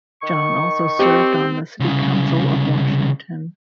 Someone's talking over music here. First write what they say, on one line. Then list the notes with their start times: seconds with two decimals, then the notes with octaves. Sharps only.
John also served on the City Council of Washington.
0.22 D#3 C#6
0.99 C4 G4
1.80 C2 C#3